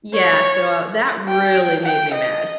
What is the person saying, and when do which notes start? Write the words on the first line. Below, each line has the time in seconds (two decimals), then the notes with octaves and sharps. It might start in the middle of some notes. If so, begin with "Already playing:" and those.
Yeah, so, uh, that really made me mad.
0.14 C#5
1.29 G5
1.86 G5
2.15 D#5